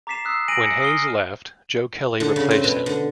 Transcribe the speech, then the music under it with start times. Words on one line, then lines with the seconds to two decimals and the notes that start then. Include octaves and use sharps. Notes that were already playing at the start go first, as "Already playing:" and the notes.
When Hays left, Joe Kelly replaced him.
0.07 A#5 D6 A6 B6 C7 E7
0.25 D#6 E6 F#6 C7
0.48 G#5 A#6 D7 D#7 F#7
0.62 C#7
0.80 D#6 F6 C7 D#7 G7
2.20 D3
2.36 C#3
2.51 C4
2.64 B2
2.86 D3